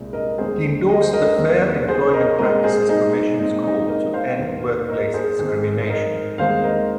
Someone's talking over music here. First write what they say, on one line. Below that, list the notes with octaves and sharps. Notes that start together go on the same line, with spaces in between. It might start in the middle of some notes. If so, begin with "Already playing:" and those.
He endorsed the Fair Employment Practices Commission's call to end workplace discrimination.
Already playing: C2 A#2 G#3 C4
A#4 D#5
D#2 D#3 G#3 C4 G#4 C5
D#5
C5
A#4 D#5
D#2 D#3 C4
G#4 C5
A#4 D#5
A#2 G#3 C4 A#4 D#5
D#5
G#4 C5
D#4 G#4
D#4
A#2 G#3 C4 D#4
D#4
A#4 D#5
C5 F5
D#2 D#3 A#3
A#4 D#5
G#4 C5
G#2 D#3 G#3 C4
A#4 D#5
D#2 D#3 G#3 C4 C5 F5
A#4 D#5